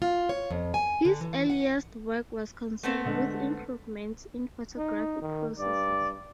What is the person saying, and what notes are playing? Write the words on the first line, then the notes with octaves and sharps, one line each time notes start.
His earliest work was concerned with improvements in photographic processes.
F4
C#5
F2
G#5
D3
E3
F#5
A3 B3 C4
D3 G#3
D#4
D#3
G2 D5